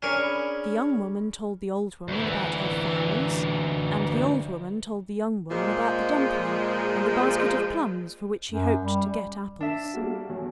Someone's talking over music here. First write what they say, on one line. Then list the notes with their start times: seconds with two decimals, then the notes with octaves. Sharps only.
The young woman told the old woman about her fowls and the old woman told the young woman about the dumpling and the basket of plums for which she hoped to get apples.
0.02 C#4 D4 A#4 G#5 G#6
0.19 G#4 B5
2.08 D2 E3
5.51 A#2 F3 G#3
8.52 F#2
8.82 G3
9.60 D4 E5
9.94 G3 A#3 F#4
10.30 E2 F#3